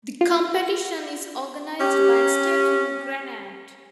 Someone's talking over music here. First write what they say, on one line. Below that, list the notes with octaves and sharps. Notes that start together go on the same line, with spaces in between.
The competition is organized by "Stephen Granade".
F4
C#4 G4